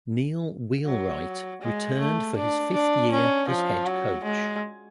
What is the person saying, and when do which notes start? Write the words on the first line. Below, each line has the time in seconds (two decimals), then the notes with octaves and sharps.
Neil Wheelwright returned for his fifth year as head coach.
0.86 F#3
1.62 G#3
2.00 A3
2.37 D4
2.74 D4
3.11 C#4
3.49 F3
3.86 F#3
4.24 G#3